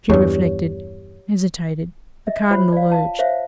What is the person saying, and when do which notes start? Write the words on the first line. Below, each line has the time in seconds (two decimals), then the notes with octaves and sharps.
She reflected--hesitated. The cardinal urged.
0.10 E2 G2 G4 C#5
2.27 D#5 E5
2.51 F4 C5 C#5 F#5 B5
2.73 D5 F5
2.92 F5 A5
3.19 C5 C#5 E5 F5